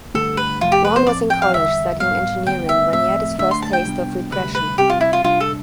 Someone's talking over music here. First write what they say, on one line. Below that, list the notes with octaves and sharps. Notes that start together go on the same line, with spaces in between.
Wan was in college studying engineering when he had his first taste of repression.
G2 D3 A3 A4
B4
F2 C3 F3 A3 F4
G4
B4
C5
A2 F3 C4 D5
G5
F5
E2 D3 G3 E5
A2 G3 B3 F5
D2 D3 G3 B3 G5
E5
A2 F3 A3 C4 E5
D2 D3 A3 D4 E5
C6
A5
G5
C3 G3 B3 D4
D2 C3 G3 B4
B4
C3 G3 C4 G4
F4
E4
F4
C3 G3 D4 F4
A4